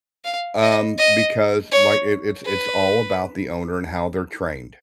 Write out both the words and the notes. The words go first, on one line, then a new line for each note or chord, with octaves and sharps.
Um, because, like, it it's it's all about the owner and how they're trained,
F5
D#5
D#5
C#5
B4